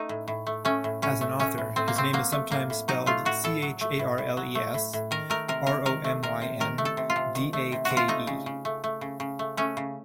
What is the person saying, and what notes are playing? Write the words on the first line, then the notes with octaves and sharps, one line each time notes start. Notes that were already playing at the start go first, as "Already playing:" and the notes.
As an author, his name is sometimes spelled Charles Romyn Dake.
Already playing: A3 D#4
A2
A2
A3
A3 C#4
A2
A2 C#4
A3
A3 C#4
A2
A2 C4
A#3
A3 C4
F#3 A#3
A3
A2 A#3
A2
F#3 D#4
A3 F4
A2 F#4
A2 A4
F#3
A3
A2
A2
F#3
A3
A2
A2
D#3 A#4
A3 A#4
C3 A#4
C3 A#4
D#3 A#4
A3
C3 A#4
C3
D#3 A#4
A3
A4
C3
F4
C3
D#3
A3
C3
F#4
C3
F4
A3 D#4
C#3
C#3
A3
A3
C#3
C#3
A3
A3 C#4
C#3